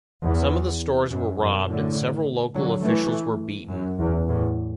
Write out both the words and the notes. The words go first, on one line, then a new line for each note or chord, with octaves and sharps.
Some of the stores were robbed and several local officials were beaten.
E2
F#2
F#2 B2
A2 D3
D3 F#3
E3 A3
F#2
E2
E2 A2